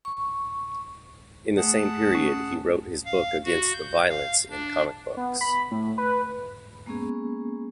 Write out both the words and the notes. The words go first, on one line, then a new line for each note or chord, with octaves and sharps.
In the same period he wrote his book against the violence in comic books.
C#6
A3 G#4 F#5 A5
C#4
F5
F#4
G6
F5
D4
B3
B5
A2
B4
G#3 A#3 B3 C#4 G#4